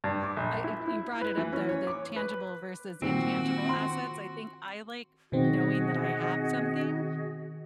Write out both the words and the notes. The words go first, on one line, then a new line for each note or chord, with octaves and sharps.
I it you brought it up, though, the tangible versus intangible assets, I think I like knowing that I have something,
G2
D6
A#1
E4
E4
B4
E3
C#4
C#5
D6
B4
A#2 D#3 C4 F#4
C6
B2 D#3 C4 F#4 G#4 D#5